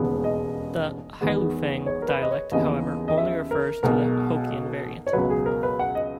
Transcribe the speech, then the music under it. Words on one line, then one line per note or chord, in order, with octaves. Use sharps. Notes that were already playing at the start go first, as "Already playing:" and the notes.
The Hailufeng dialect, however, only refers to the Hokkien variant.
Already playing: E1 D#2 C#3 G#3 B3
D#5
E2 D#3 G#3 B3
C#5
A#4
B4
D#5
C#5
D#2 C#3 E3 B3 D#5
D#5
E5
A#4
B1 B2 G#3 A#4
C#5
C#2 B2 F#3 B4
G#4
A#4
B4
F#5
D#5